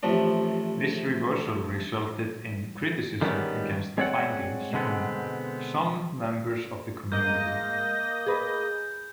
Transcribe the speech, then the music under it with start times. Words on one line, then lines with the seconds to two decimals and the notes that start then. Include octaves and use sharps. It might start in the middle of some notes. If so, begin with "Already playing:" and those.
This reversal resulted in criticism against the findings from some members of the community.
0.03 A1 C3 F3 A3 D4
3.21 D3 D#3 G3 G#3 B3 C#4
3.98 G#3 C4 C#5 D5 F#5
4.73 B2 D3 G#3 B3 C4
7.12 G#2 A#3 D#5 G6 A#6
8.27 G#4 B4